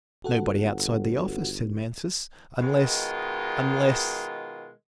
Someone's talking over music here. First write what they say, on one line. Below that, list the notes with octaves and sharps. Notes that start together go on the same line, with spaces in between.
"Nobody outside the office," said Mansus, "unless, unless..."
G1 F#4 A4 F#5
B2 D#3 G#3 F4